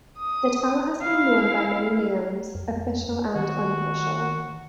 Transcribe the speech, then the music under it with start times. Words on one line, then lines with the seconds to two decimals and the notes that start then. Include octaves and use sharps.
The tower has been known by many names, official and unofficial.
0.18 D#6
1.01 E4 F5
2.55 F2
3.35 D#3 F#4